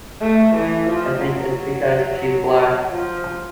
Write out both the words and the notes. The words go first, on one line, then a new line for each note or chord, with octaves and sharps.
I think it's because she's black.
A3
E3
F3
F#3
F3